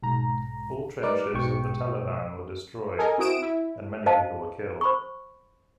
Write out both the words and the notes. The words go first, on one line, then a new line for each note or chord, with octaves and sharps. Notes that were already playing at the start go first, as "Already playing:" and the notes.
All trenches of the Taliban were destroyed, and many people were killed.
B1 G#2 A#5
G3 D#4 A#4 B4 D5
B1 G#2 B2 G5 C#6
A4 A#4 D#5 G#5
C4 E4 F#4 D#6 D7 E7
E4
C5 D#5 F5 A5
C5 B5 C#6